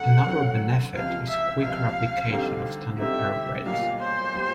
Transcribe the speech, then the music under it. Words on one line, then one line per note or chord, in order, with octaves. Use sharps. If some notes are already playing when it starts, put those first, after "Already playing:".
Another benefit is quicker application of standard air brakes.
Already playing: F#2 D3 F#3 A3 C4 F#5
F#2 D3 F#3 A3 C4
C#2 C3 F3 F5
E5
C#2 C3 F3 F5
D3 G3 C4 D#4 G4
D3 G3 C4 D#4 G4 E5
B1 A#2 G3 F5
C5
A#2 G3